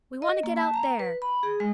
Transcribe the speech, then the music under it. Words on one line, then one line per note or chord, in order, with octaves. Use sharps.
We want to get out there.
D#5
A#3
A5
A#5
B4
B5
G#4
G#3